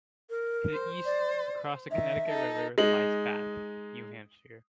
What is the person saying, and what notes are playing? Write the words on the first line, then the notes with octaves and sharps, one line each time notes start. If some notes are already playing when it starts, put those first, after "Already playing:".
To the east, across the Connecticut River lies Bath, New Hampshire.
A#4
C5
D5
D#3 E5
D#4 A4
G#3 D#4 F#7